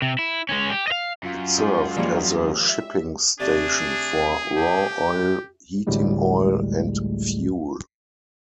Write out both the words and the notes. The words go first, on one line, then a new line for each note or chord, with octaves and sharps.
It served as a shipping station for raw oil, heating oil, and fuel.
C3
E4
G#3 C#4
G4
D#5 F5
F#2 F4
G#3 G4
D#3 F3 G3 G#3 A#3 C#5
E5
C3 A3 D4 G#4 D5
G4
A1 D2 A2 G3 G#3